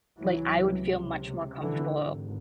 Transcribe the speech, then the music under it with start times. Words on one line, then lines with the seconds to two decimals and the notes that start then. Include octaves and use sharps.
like, I would feel much more comfortable
0.19 C#2 C3 E3 F#3
1.62 D3 E3
2.10 G#1